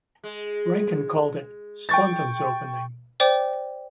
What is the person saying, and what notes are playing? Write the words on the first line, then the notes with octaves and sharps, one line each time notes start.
Ranken called it "Staunton's Opening".
G#3
G5 C#6 A6
C5 D5 G5 D6